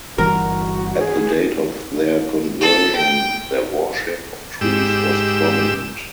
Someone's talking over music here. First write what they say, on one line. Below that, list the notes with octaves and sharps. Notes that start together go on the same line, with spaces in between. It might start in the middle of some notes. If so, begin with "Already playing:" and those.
At the date of their conversion, their worship of trees was prominent.
G1 E3 G3 F#4 A#4
G#4
A4
G5
G#2 G4 E6